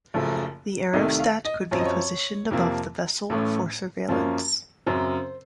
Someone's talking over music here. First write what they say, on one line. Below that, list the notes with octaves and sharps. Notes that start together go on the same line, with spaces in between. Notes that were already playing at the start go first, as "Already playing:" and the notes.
The aerostat could be positioned above the vessel for surveillance.
F#1 F#2 F3 A3
C2 C3 D#3 A3 D#5
F5
D#5
F#2 F3 C4 C#5
D#5
C#5
F2 C3 F3 A#3
A1 A2 A3 C#4
F#2 F3 A#3 C#4
F#2 C#3 F#3 C4 C5